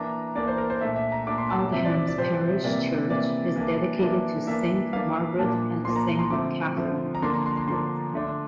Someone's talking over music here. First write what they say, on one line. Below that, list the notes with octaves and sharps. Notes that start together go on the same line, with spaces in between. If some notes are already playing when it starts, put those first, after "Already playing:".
Aldham's parish church is dedicated to Saint Margaret and Saint Catherine.
Already playing: E3 A#3 D4 A#5
E3 A#3 D4 D5
C5
A#4
C5
A#2 A3 D4 E5
E5
A#5
A#2 A3 D4 D6
C6
A5
C3 F3 C4 E5
D5
D5
D5
C3 F3 C4 C5
C3 E3 A#3 D5
C3 E3 A#3 D5
E3 A#3 D4
E3 A#3 D4
E3 A#3 D4 E5
E3 A#3 D4 F5
A#2 F3 A#3 D4 A5
A#2 F3 A#3 D4 C6
A#5
C6
D3 F3 A3 C4 D6
D3 F3 A3 C4
A#5
D3 F3 A#3 D4 C6
A#5
C6
C6
D3 F3 A#3 D4 C6
D3 A3 D4